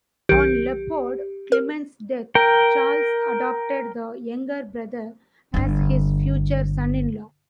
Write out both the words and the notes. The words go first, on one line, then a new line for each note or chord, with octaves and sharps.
On Leopold Clement's death, Charles adopted the younger brother as his future son-in-law.
B1 D#3 G4
A#4
A#4 G5
G1 D3